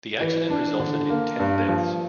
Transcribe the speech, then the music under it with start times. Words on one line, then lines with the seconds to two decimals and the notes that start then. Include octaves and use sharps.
The accident resulted in ten deaths.
0.21 E3
0.50 D4
0.80 D3
1.09 A#3
1.39 G2
1.69 F3